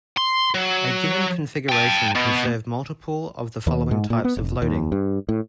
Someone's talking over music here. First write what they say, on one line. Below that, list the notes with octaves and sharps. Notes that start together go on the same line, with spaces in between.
A given configuration can serve multiple of the following types of loading.
C6
F#3
G5 A5
B2
D#2
G#2
A#2
B3
F1
D#2
G2
A2